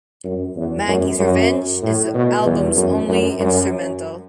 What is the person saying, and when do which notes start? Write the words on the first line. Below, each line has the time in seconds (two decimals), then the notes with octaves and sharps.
"Maggie's Revenge" is the album's only instrumental.
0.24 F#2
0.56 E2
0.88 F#2
1.19 F#2
1.82 A2
2.14 B2
2.46 E2
2.76 F#2
3.09 F#2
3.40 F#2